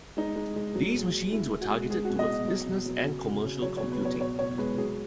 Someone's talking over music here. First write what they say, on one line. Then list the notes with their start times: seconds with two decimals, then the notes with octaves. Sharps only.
These machines were targeted towards business and commercial computing.
0.17 G#3 D#4
0.36 G#3
0.56 G#3
0.75 F#3
0.94 A#2
1.14 A#2
1.32 G#3 E4
1.51 G#3
1.61 F#4
1.71 G#3
1.90 G#3 G#4
2.05 F#4
2.10 B2
2.19 D#5
2.29 B2
2.48 F#3
2.66 B2
2.86 F#3
3.04 C#3
3.24 C#3
3.44 C#3
3.62 F#3 C#5
3.77 C#5
3.82 B2
3.92 B4
4.01 F#3 C#5
4.19 B2 C#5
4.39 B2 C#5
4.58 G#3 B4
4.78 F#3 G#4